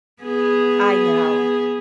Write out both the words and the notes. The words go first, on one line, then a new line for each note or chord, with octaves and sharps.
I know.
B3 G#4